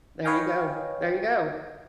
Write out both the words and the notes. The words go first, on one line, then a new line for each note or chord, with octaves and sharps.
There you go. There you go.
B4 C#5 D#5 F5 G5 G#5